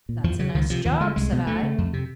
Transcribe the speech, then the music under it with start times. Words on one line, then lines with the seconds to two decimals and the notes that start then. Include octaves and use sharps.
"That's a nice job," said I.
0.09 A#2
0.24 E2 F3
0.39 C#3 F#3
0.54 C#2 D#3
0.70 C3 F3
0.85 D#2 F3
1.01 D3 G#3
1.16 C2 G#3
1.32 B2
1.46 D2 A3
1.63 C#3
1.78 F2
1.93 C3